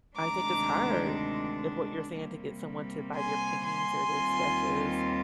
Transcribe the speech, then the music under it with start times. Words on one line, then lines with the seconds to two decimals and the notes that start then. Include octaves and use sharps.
I think it's hard if what you're saying to get someone to buy their paintings or their sketches.
0.17 D2 C3 D#3 G#3 D4 A#5 D6
2.16 C3 G3 A#3
3.15 G#5 C6
3.64 G#5 C6
4.14 D#2 D#3 G3 C4 F4